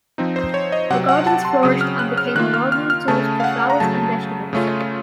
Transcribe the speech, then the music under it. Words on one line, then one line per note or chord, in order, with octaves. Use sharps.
The gardens flourished and became a well known source for flowers and vegetables.
F3 C4 D#4
C5
C#5
D#5
C3 F#3 C4 F#5
F#5
A5
C6
C#3 F#3 C4 D#6
F6
F#6
F6
D#3 A#3 F4 F#6
F6
F6
F6
C#3 A3 C#4 A5
F5
F#5
A#5
C#3 F#3 A3 A5
C#3 A3 C#4 F4